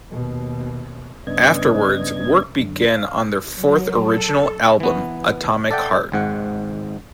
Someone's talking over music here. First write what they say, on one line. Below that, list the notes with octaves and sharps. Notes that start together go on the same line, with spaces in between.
Afterwards work began on their fourth original album "Atomic Heart".
D#2 B2
G2 C#3 B3 D4 D#5 G#6
F#2 D3
F5
F#3
A4
E3 B3
A4 D5 E5 F#5 G5
G#1 G#2 F#5